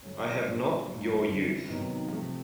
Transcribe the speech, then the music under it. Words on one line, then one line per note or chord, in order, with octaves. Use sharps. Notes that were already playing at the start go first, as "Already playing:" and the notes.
I have not your youth.
D3 F#3 A3 C#4
C#3 F3 A#3 D4 F#4
D#2 C#3 F#3 A#3
F#2 D3 G3 C4 E4
C3 D#3 F#3 B3 D#4
C3 F3 A3